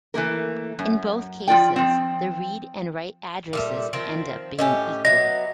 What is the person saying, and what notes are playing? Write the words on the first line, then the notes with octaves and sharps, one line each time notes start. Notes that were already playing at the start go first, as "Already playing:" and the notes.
In both cases, the read and write addresses end up being equal.
E3 A3 A#3 A#4
F#2
F3 F4 D5 G5
F3 C4
A#2 G3 A3
D#3 F3 C4
A2 C#4 G4 D#5 G#5
F#3 B3 D#5 E5 A#6